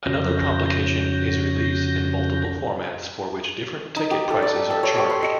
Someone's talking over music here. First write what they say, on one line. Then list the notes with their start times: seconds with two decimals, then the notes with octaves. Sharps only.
Another complication is release in multiple formats for which different ticket prices are charged.
0.06 F2 C#3 C#4 F#4 G6 A#6
3.96 D#4
4.11 G4
4.30 A4
4.42 D5
4.55 G4
4.70 A4
4.83 C#5
4.98 G4
5.10 C6
5.23 D#5